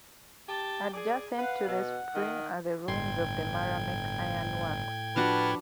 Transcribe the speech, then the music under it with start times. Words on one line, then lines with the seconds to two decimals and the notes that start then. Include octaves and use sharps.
Adjacent to the spring are the ruins of the Maramec Iron Works.
0.48 G4 A5
0.94 G#4 D5
1.38 B4 F5 F#5
1.68 B2 F#5
2.14 D#3
2.88 G1 A2 G5 C6 G#6
5.16 F3 D4 F#4 B4 F#5 A5 F6